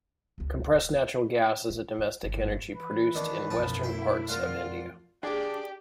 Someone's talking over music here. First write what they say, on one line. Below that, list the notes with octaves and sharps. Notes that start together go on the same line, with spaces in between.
Compressed Natural Gas is a domestic energy produced in Western parts of India.
F#1 C#2
D1
C#4
C#4
F4
G1
E3 B4
D#3 D4
B1 F#2 F3 A5
A3 E4 G5 C6
F2 F4 A#4 D5 F5 F#5
D4 G4 G#4 D5